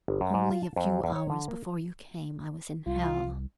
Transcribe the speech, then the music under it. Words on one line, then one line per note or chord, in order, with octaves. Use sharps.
"Only a few hours before you came, I was in hell!"
G1
F#2
G#2
F4
A5
F2
E2
C#5
D3
A#3
C2 F4